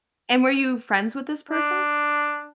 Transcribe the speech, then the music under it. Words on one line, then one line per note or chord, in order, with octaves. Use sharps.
And were you friends with this person?
D4